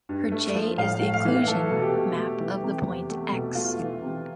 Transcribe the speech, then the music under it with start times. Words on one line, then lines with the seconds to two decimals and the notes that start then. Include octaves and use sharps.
Here "j" is the inclusion map of the point "x".
0.09 G2
0.32 A3
0.55 F3
0.78 A2 F5
1.02 A3
1.14 F5
1.25 E3
1.48 A3 A4
1.71 B2
1.82 G4
1.93 A3
2.16 A3
2.40 E3
2.63 C3
2.87 E2
3.09 A3
3.32 B2
3.55 A3 F4
3.79 E3
4.02 C3